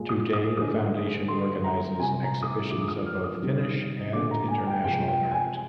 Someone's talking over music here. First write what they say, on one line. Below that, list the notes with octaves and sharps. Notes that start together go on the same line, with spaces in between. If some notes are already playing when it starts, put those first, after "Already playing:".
Today the Foundation organizes exhibitions of both Finnish and international art.
Already playing: A#2 G#3
D#6
D#6
D3 G#3 D#6
D3 G3 C6
A#5
C3 G3 G#5
A#5
D#6
D6
D3 F3 G#3 D6
D#6
F6
D#6
C3 D#3 G3
D3 G#3 D6
A#5
G#5
G5
C3 F3 G#3 G5
G5
G#5